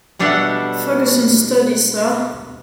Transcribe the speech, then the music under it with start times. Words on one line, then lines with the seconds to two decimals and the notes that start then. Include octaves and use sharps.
Ferguson's study, sir?
0.19 B2 G3 D4 A4 E5 F#5